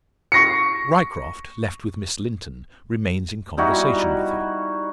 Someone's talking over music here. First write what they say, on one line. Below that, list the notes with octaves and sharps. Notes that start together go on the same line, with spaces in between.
Ryecroft, left with Miss Linton, remains in conversation with her.
C#6 A#6 C7 C#7
G3 D#4 E4 F#4